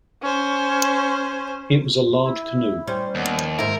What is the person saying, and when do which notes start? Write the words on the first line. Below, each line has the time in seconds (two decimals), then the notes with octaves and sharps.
It was a large canoe.
0.22 C#4 C5
2.24 E4
2.43 E4
2.87 G3 C#4 C5
3.15 D#2 B3
3.37 F3
3.59 G#2 E4 A4 A#4